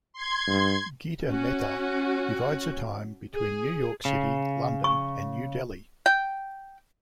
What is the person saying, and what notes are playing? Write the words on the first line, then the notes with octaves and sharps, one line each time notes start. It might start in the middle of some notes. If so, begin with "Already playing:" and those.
Gita Mehta divides her time between New York City, London and New Delhi.
C6 G#6
G2
C#4 F#4
G#4
C#3
C#6
G5